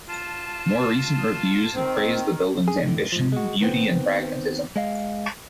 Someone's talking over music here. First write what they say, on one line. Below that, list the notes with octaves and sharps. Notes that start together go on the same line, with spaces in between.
More recent reviews have praised the building's ambition, beauty, and pragmatism.
F4 A5
D#3 C4
G#4
F#2 A2 D3
G#2 F3
G#3 F#4
D#3 B3 C4
G#3 D#5 F5